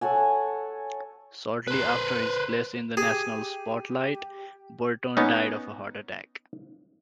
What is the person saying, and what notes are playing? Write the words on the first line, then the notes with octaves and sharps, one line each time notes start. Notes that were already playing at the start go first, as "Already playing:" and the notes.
Shortly after his place in the national spotlight, Burton died of a heart attack.
A4 C#5 F#5 G#5
B4 C5
G4 G#4
B3 C#4 D#4